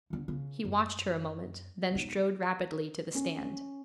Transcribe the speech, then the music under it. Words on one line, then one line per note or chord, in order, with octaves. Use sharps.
He watched her a moment, then strode rapidly to the stand.
D2 D3
C#3
F#2
E1 D#4
C#4